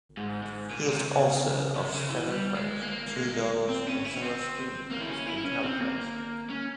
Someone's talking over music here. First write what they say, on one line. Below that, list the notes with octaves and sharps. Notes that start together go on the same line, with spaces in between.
He is the author of seven plays, two novels and several screenplays and teleplays.
G#2
G#2
A#2
C3
C#3
C3
C#3
E3
G3
G#3
A#3
A#3
G#3
A#3
G#3
C4
C#4
E4
C#4
C4
A#3
E4
C#4
E4
E4
C#4
C4
A#3
C#4